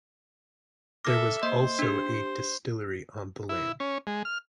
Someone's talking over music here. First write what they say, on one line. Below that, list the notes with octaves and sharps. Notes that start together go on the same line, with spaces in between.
There was also a distillery on the land.
A4 E5 D6 F6 A#6
A#3 C5 D#5 C6
D4 G4
E4
C#4
G#3
F6